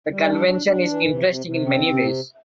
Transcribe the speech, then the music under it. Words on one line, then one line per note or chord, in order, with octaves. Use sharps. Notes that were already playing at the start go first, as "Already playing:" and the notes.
The convention is interesting in many ways.
G3
D4
D4
D4
E3
C3
C3
C3
C4
C3